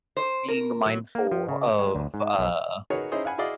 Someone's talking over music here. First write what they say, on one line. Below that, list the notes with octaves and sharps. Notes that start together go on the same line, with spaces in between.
being mindful of uh
C5
A#4
F#3
A#3
F3
C#3
G#3
D2
G#2
B1
D#4 F#4 G#4 A#4 B4 C#5
C#4 D#4 E4 G#4 C5 D#5
F5 F#5 G#5 B5
E4 F#4 G#4 D5 D#5 F5